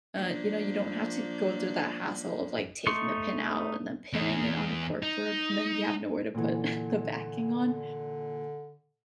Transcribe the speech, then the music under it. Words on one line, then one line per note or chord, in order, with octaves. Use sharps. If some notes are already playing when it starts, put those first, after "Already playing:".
uh, you know, you don't have to go through that hassle of like taking the pin out and then pinning it on the cork board and then you have nowhere to put the backing on.
F3 A#3 D4
A3 D#4 C6 C#6
E2
D#4
A#2 D3 E3